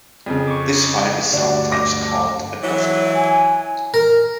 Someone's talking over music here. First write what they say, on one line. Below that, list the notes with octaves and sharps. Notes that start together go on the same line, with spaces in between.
This file is sometimes called a "gophermap".
F2 C#3
C#6 D6
D2 G2 G3 D4 F#4
D6 A#6
E3 F#3 E4
G#5
A#4